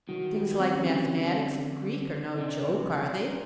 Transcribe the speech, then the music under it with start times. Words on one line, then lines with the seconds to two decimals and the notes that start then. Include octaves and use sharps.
Things like mathematics and Greek are no joke, are they?
0.09 D#3 F#3
0.34 G3
0.47 D#3
0.59 C4
0.71 C#4
0.84 D3 C4
2.34 D#4
2.38 C3 D4
3.14 A#2